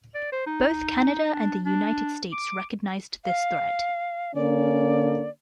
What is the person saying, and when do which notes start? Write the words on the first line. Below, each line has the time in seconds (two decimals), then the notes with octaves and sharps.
Both Canada and the United States recognized this threat.
0.15 D5
0.32 C5
0.47 D#4
1.33 D4
1.65 D4
2.32 D6
3.25 F5
4.35 D3 A#3 C#4 D5